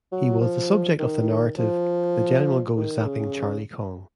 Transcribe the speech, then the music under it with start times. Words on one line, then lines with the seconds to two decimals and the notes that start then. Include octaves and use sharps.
He was the subject of the narrative "The General Goes Zapping Charlie Cong".
0.12 F#3
0.41 F3
0.99 D#3
1.58 F3
2.76 D#3
3.05 C#3